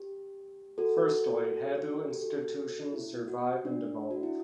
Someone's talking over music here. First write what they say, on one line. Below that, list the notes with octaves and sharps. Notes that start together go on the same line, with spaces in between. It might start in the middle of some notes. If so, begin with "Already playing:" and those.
Firstly, how do institutions survive and evolve?
Already playing: G4
F#4 A4
G4
F#4 A4
E4
F#4
D4
F#4
E4